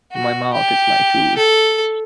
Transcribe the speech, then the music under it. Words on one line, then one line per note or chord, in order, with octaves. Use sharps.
My mouth is my tool.
F#4
G4
A4